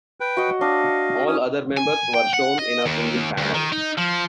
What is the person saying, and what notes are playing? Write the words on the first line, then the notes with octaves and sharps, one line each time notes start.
All other members were shown in a single panel.
B4 G5
F#4 D#5
D4 D#5 F5
C#4 D#6
G#5
G5
F#5
D#5
D#2
D2
D#3
D#4
F3